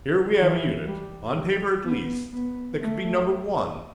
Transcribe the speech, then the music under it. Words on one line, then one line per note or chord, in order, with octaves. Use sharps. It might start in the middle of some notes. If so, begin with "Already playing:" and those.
Here we have a unit, on paper at least, that could be number one.
E3
G3
G3
B3
B3
A3